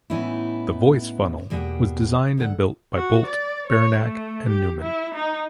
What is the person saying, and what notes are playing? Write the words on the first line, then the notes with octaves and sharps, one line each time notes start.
The Voice Funnel was designed and built by Bolt, Beranek and Newman.
A2 E3 B3 C#4 D#4 E4
E2 B2 A#3 G4 F#5
D2 A4 F#5
F#4
D5
C#5
A3
G4
E4
D#4